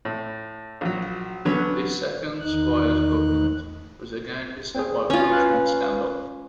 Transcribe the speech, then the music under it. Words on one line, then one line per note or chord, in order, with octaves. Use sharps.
This second Squires government was again beset by corruption and scandal.
A2
A#1 F#3
D3 F#3 B3 C#4
E2 D#3 D#4 F#6
C4 G#4
C#4 F4 C#5 G#5
B4 F5 F#6